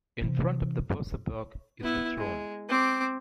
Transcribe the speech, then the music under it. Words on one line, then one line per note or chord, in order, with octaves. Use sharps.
In front of the bossabok is the throne.
C3 E3
B3 E4
G#3
C4 D6